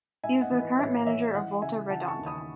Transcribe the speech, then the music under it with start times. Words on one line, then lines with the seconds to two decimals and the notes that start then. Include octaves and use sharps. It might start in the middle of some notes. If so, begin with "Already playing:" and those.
He is the current manager of Volta Redonda.
0.23 G#2 E5 G#5
0.41 D#5 F#5
0.51 E3
0.60 B4 D#5
0.79 A1 C#5 E5
1.06 E3 C#5 E5
1.34 E3 D#5 F#5
1.62 C#3 E5 G#5
1.90 E3 F#5 A5
2.08 A5 C#6
2.18 D#2
2.27 B5 D#6